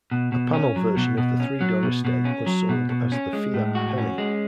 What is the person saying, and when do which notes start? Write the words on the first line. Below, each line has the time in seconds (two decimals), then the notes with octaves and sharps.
A panel version of the three-door estate was sold as the Fiat Penny.
0.11 B2
0.32 B2
0.53 C#4
0.76 F#3
0.97 B2
1.18 B2
1.40 C#4
1.61 F#3
1.83 B2
2.05 B2
2.25 C#4
2.46 F#3
2.69 B2
2.90 B2
3.12 C#4
3.33 G#3
3.54 A2
3.75 F#4
3.98 C#4
4.18 G#3